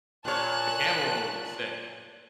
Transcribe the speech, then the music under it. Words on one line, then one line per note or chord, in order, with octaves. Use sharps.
The camo one would be sick.
A#2 C#5 A5 F#6